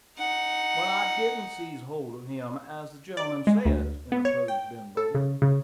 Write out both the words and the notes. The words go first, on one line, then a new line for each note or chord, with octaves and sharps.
"But I didn't seize hold of him, as the gentleman says," interposed Ben Bowman.
D#4 F#5
D5
G#3
D2
B3
C#5
G5
A4
C#3
C#3